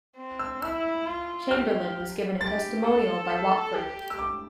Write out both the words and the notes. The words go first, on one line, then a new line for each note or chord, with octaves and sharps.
Chamberlain was given a testimonial by Watford.
C4
E6
E4 E6
F4
G4 F6
G4 A6
A4
B6
G4
E6
D6